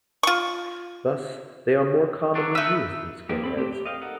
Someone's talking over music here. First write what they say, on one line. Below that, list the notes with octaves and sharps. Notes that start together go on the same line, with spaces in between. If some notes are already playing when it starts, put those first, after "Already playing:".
Thus, they are more commonly used than skin heads.
F4 C#6
D3 F#3 D4
A3 D#4 B4 E6
F3 A#3 D#4 G4
F#3 C4 A4 B5
A3 C4 G4
G4
D#5 F5 G5
D#4 A4 A#4 D#5 F#5